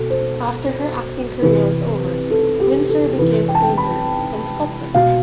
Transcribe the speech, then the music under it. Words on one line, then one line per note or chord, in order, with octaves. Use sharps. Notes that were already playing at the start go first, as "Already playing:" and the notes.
After her acting career was over, Windsor became a painter and sculptor.
Already playing: B2 A4
C5
C3 E3 B4
A4
G4
A4
A4
C3 E3 B4
G5
A5
G5
B5
B2 F5